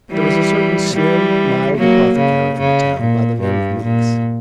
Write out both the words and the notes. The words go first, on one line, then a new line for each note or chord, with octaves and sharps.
There was a certain slim, mild apothecary in the town, by the name of Meeks.
E3 G3
E3 G3
F#3 A#3
C#3
C#3
A#2
G2
A#2